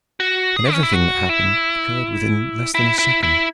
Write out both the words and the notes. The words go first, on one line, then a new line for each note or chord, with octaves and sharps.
And everything that happened, occurred within less than a second.
F#4
G#4
C#4
E4
F#4
E4
E4
E4
E4